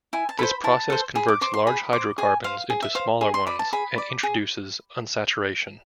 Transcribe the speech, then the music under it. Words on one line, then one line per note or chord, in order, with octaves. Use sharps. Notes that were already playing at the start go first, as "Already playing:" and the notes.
This process converts large hydrocarbons into smaller ones and introduces unsaturation.
E4 G#5
A5
A4 C5 B5
E4 A5
A4 C5
G#4 B5
D6
C5 D6
C6
G#4 B5
C5 D6
G#4 G#5
C5 F5
G#4
E5
C5 F5
G#4
C6
D5 B5
A5
G#4 B5
D5
G#4